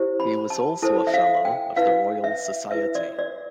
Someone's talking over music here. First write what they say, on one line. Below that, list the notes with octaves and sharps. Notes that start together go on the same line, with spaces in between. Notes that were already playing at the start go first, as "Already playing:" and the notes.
He was also a fellow of the Royal Society.
Already playing: E4 G4 C5
B5
A5
E4 A4 C5 A5
E5
F5
G5
E4 B4 F5
E5
E4 B4 E5
D5
D5